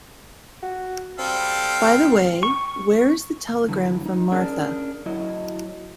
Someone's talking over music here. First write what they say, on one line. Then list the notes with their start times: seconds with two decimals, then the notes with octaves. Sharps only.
By the way, where is the telegram from Marthe?
0.62 F#4
1.19 G3 C4 A4 F5
2.43 C#6
3.69 D3 E3 F#3 G3
4.06 D#4
4.32 C#4 D4 G#4 A#4
5.06 F#3 E4 F#4 D#5